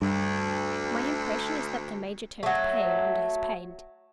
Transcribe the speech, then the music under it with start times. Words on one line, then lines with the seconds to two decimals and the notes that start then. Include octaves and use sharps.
My impression is that the Major turned pale under his paint.
0.02 D2 G2
2.43 F#3 A3